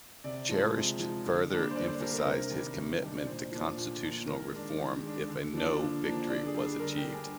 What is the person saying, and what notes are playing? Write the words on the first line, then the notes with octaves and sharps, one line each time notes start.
Charest further emphasized his commitment to constitutional reform if a "No" victory was achieved.
C3 D5
F3 G#3
C3
F3 G#3
D3
G3 A#3 D4
C5
D3 D5
C5
G3 A#3 D4 A#4
A#4
C5
C3 A#4
D#3 G3 D4
C3
D#3 G3 D4
D5
A#2 C5
F3 A#3 D4
A#2
F3 A#3 D4
D#3 A#4
G#3 D4
D#3
G#3 D4
D3
F3 A#3 D4
D3
F3 A#3 D4
D3 D5
G#4
G3 D4
G#4
D3 A#4
G5
G3 D4
G#5